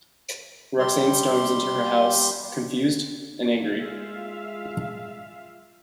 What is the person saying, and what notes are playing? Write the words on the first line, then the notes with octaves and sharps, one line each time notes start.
Roxane storms into her house, confused and angry.
G3 G4 C6
G#3 F4 E5 F5